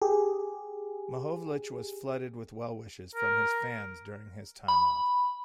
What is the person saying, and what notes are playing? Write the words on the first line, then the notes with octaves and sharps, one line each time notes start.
Mahovlich was flooded with well-wishes from fans during his time off.
G4 G#4
A#4
B5